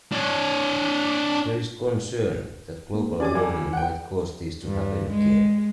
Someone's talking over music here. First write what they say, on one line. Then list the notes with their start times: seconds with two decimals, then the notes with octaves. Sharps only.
There is concern that global warming might cause this to happen again.
0.12 D4 C#5
2.94 A#3
3.20 C#4 G4 G#4 D5 G#5 D6
3.35 F2 G#5 D6
3.73 F#5 G5
4.63 G2
5.11 G#3